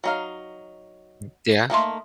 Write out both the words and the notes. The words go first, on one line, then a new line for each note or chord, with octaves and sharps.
M Yeah.
F#3 D#4 F5
A3 A#3 D#4 E5 C6